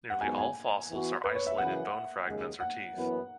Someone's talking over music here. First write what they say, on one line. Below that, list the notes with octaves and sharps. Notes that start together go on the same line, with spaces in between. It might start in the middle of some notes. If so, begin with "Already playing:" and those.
Nearly all fossils are isolated bone fragments or teeth.
F#5
G#2 F#3 B3 D#4 F#4 G#5
G#5
E3 B3 F#4
B4
C#5
E5
F#2 C#3 E3 B3 F#5
D#2 C#3 G#3
F#5
F#2 E3 B3 E4